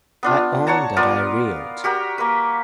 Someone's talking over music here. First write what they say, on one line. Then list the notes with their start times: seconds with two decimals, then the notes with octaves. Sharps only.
I own that I reeled.
0.23 B3 D4 F4
0.67 C#5 F#5 A5 A#5
0.96 B3 F4 A#4 D5
1.84 F#4 G4 A#4
2.18 A#3 B4